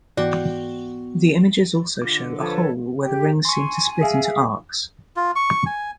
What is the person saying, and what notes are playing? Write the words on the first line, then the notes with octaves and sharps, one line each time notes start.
The images also show a hole where the rings seem to split into arcs.
G#2 E3 B3 F#4 D5 G5 C6
D3 F4 D6
F3 A4 B4 C#5
G4
G#5 C6 C#6
G#4 E5 F5
F4
C#6
G#5